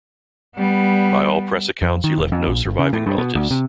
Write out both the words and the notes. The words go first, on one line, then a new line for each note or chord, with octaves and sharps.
By all press accounts, he left no surviving relatives.
G3 B3
F2
D#3
E1
F2
A#1
G1
C#3
A2
G2
B2
D2
C3